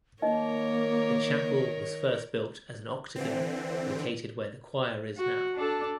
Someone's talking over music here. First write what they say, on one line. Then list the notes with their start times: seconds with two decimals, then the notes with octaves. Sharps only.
The chapel was first built as an octagon located where the choir is now.
0.22 D#3 A#3 D#4 A#4 C#5 D#5
3.16 D3 E3 C4
5.18 F#4
5.55 D4 A4